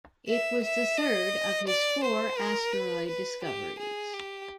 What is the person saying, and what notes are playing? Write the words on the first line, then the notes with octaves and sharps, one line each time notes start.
It was the third of his four asteroid discoveries.
E5
E5
D#5
D5
C5
A#4
B4
B4
G4
G#4
G4